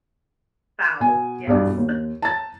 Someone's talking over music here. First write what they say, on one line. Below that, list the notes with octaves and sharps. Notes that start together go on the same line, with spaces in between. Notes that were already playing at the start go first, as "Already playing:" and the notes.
Foul, yes.
B2 G#5
B1 E2 G2 D5
D#2
A5 A#5 A6